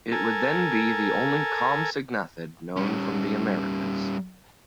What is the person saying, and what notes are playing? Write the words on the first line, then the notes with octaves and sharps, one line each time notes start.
It would then be the only compsognathid known from the Americas.
A4 A#4 G#5
G3 C#4